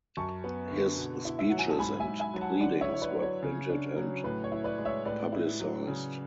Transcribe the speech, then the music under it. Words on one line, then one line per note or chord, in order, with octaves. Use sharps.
His speeches and pleadings were printed and publicized.
F#2 A5 C#6
B3
D3
B2
E4
E5
F#3 F#5
G#5
A5
G#2 G#5 B5
E5 G#5
G#2
E5 G#5
F#3
F#5 A5
D3 D5 F#5
C#5 E5
E4
C#5
B4 D5
F#3
C#5
C#3
D4
F#3
A2 B4
C#5
E4
B4 D5
G#3
C#5 E5
A2 B4 D5
E4
F#3
C#3